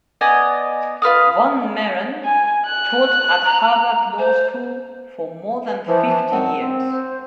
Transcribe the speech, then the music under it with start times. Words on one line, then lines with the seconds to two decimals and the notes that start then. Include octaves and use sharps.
Von Mehren taught at Harvard Law School for more than fifty years.
0.21 B3 D5 D#5 G#5
1.02 F4 B4 F5 D#6
2.25 G#5
2.66 F#6
3.45 A#5
4.19 C5
5.65 B4
5.87 E3 F3 C5
6.04 A5
6.32 F#2 D#3 C4 F#5
6.60 C4
6.90 C5